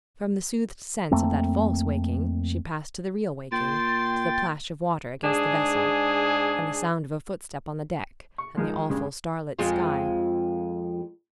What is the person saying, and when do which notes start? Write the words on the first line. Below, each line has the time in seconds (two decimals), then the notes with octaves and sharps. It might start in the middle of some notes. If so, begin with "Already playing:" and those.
From the soothed sense of that false waking she passed to the real waking,--to the plash of water against the vessel, and the sound of a footstep on the deck, and the awful starlit sky.
1.11 F2 A3 A#3 C4
3.52 A#2 G5 C6 A6
5.23 G#2 D4 G#4
8.38 C#6
8.56 F3 G#3 D#4 A#4
8.90 G2 C#3 G#3
9.59 F2 G#3 F4